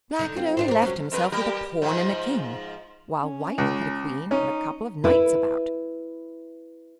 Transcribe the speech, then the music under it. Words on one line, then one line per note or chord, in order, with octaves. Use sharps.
Black had only left himself with a Pawn and a King, while White had a Queen and a couple of Knights about.
D3 D#4
C4 F4
D4 E4 C5
G4 A#4
F#3 C#4
F2 A#4 B4
G3 G4 A#4
G#2 F3
C#4
C#2
C#4 D#4
E4 B4